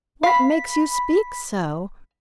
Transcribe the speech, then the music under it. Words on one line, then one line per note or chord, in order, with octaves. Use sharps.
What makes you speak so?
F5 B5 B6